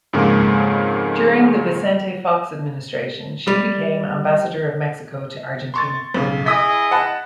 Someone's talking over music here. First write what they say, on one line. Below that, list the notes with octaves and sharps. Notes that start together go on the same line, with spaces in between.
During the Vicente Fox administration she became ambassador of Mexico to Argentina.
F2 G#2 C#3 G#3 A#3 C#4
G3
C6 C#6 A6
B1 C#3
E4 G#4 D#5 D#6 B6
F#5 A5 B5